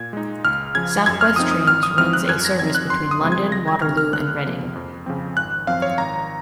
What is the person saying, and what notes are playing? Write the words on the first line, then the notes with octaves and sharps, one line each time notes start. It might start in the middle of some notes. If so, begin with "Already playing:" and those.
South West Trains runs a service between London Waterloo and Reading.
Already playing: A#2 G#6
G#3 D#4
C#2 F6
C#3 F3 G#6
F#2 G#6
F6
F3 C4 D#4 D#6
D#6
G#1 F6
D#6
G#2 F3 C4 F6
F#6
F#2 G#6
A#6
F3 C4 D#4 G#6
F#6
F#2 C6
D#6
C#3 F3 G#3 C4
G#6
C#2 A#6
G#6
C3 D#3 F6
F6
C#2 F#6
C3 F3 A#3
F2
C#3 F3 C4
G#1 F#6
F#2 F3 C4 F5
C#5
G#1 A#5